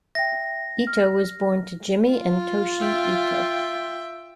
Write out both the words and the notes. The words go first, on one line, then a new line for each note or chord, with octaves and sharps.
Ito was born to Jimmy and Toshi Ito.
E5 G5 A#6
F6
F4
E5 G5